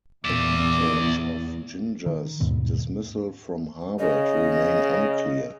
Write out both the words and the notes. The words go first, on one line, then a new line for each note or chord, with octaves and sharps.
The details of Ginger's dismissal from Harvard remain unclear.
E2 A#2 D5 E5 D6
D#3
D#2 G#2 B2
C#3 D#5